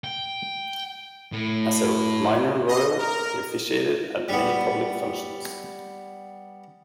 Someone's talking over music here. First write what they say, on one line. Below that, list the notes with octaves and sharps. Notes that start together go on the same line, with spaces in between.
As a "Minor Royal", he officiated at many public functions.
G5
A2
D#5
A#4
G3 B3